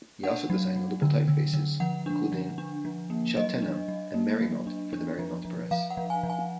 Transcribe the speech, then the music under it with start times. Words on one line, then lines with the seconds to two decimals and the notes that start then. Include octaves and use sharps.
He also designed notable typefaces, including Cheltenham and Merrymount for the Merrymount Press.
0.24 D4 F#5
0.50 F#3
0.76 F#3
1.02 D3
1.28 D3
1.53 D3
1.80 F3 F#5
2.06 D4
2.32 F3
2.58 D4
2.85 F3
3.10 A#3
3.36 F#3 D#5
3.62 D4
3.88 F#3
4.14 A#3
4.41 F#3
4.67 D4
4.93 D4
5.19 F3
5.45 F3
5.71 F3 F5
5.90 F#5
5.97 F3
6.10 G#5
6.23 F3
6.30 G#5